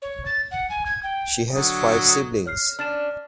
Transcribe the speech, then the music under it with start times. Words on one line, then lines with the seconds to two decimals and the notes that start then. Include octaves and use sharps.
She has five siblings.
0.02 C#5
0.25 A6
0.51 F#5
0.69 G#5
0.86 G#6
1.03 G5
1.53 D3 F#3 D#6
2.46 C#5 F6 C7
2.79 C#4 D4 F6 A6 E7